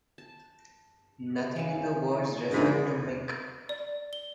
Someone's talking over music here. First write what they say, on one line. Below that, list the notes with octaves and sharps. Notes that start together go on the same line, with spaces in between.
Nothing in the words referred to Mick.
A5
C#3 E3
G#2 F3 C#4 D4 E4 G#4 A#4
D5
G7